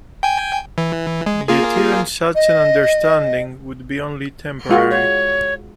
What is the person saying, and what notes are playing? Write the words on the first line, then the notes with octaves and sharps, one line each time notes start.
Yet even such an understanding would be only temporary.
G5 G#5
E3
G#3
A#3 F4 G#4
D#5
G#3 F4 F#4
C#5